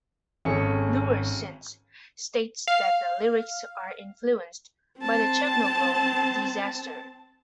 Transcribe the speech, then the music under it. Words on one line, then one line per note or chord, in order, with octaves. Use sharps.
Luerssen states that the lyrics are influenced by the Chernobyl disaster.
G#1 C#4 G#4 A4 C#7
F5
C4 A5